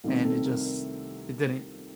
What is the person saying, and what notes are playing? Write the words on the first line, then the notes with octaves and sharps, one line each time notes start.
and it just it didn't,
C2 C3 D#3 A3 C4 A4
A4
A#4
A#4